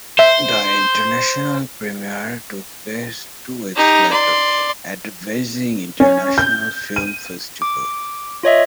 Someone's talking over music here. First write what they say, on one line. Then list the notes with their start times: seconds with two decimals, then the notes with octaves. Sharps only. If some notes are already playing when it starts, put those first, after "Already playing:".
The international premiere took place two weeks later at the Beijing International Film Festival.
0.19 C5 E5
3.76 D#4 G4
4.11 D5 C6
6.00 C#4
6.38 G6
6.96 D#7
7.62 D6
8.43 F4 C#5 D#5 E5